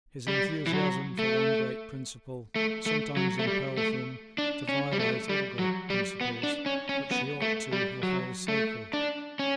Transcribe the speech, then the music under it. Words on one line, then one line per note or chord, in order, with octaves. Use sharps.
His enthusiasm for one great principle sometimes impelled him to violate other great principles which he ought to have held sacred.
G3
E3
F#3
A3
A3
A3
F#3
A3
G3
A3
D4
C#4
G3
A3
G3
F#3
G3
B3
D4
C#4
C#4
B3
A3
G3
F#3
A3
D4
C#4